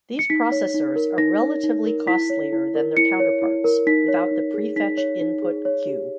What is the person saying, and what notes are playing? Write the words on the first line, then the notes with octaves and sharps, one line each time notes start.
These processors are relatively costlier than their counterparts without the prefetch input queue.
C#7
D#4 B6
C#5
D#4
A#4
D#4 A#6
C#5
D#4
A#4
E4 B6
C#5
E4
A#4
E4 C#7
C#5
E4
A#4
D#4 B6
C#5
D#4
G#4
D#4 B6
C#5
D#4
G#4
C#5
G4